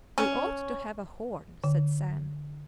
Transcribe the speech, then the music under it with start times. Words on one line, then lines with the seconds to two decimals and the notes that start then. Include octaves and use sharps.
"We ought to have a horn," said Sam.
0.18 C#4
1.64 D3